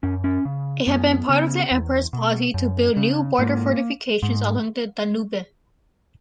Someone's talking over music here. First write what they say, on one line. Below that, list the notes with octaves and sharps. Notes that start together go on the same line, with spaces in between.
It had been part of the emperor's policy to build new border fortifications along the Danube.
F#2 C#4
C#4
C#3
F#2 B3
C#3
E2
B2
F#2
C#3
G#2 A#3
G#2